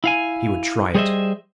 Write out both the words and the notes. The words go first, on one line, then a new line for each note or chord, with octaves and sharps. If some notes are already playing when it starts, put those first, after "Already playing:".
He would try it.
E4 F5 G#5
G3 G#4 C5 C#5 D#5 E5